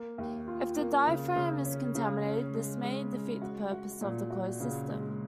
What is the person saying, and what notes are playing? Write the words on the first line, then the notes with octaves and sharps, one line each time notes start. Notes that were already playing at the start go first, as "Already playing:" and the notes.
If the diaphragm is contaminated this may defeat the purpose of the closed system.
Already playing: A#3
D#2
F4
A#3
C#3
C#3
C#4
C#3
C#4
G#3
G#3
G#3
F#4
F#4
A#2
F#4
C#3
G#3